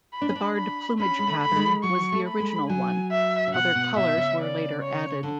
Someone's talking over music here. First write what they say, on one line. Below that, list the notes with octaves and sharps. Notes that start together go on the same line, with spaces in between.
The barred plumage pattern was the original one; other colors were later added.
B5
D4
C#4
D4
B5
C#4 B5
G#3
A3
B5
A3
G#3
F#3 C#6
A3
B5
G#3
F#3 G#5
E5
C#3
B2 F#5
B2
B2 E5
C#3
D5
C#5
D3